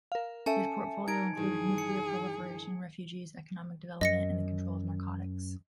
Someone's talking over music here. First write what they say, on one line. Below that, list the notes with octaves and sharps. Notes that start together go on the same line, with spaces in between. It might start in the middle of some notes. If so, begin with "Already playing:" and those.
His portfolio included nuclear proliferation, refugees, economic development, and the control of narcotics.
A#4 F5
C#4 A4 E5 G#5 A5 C#7
D#4 A#4 G#6 D7
G2 D#3 E3 G#4
C#7
F#2 D#5 A#6 C#7